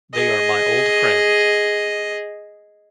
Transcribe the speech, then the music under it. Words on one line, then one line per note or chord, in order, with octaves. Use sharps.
They are my old friends.
G#4 D#5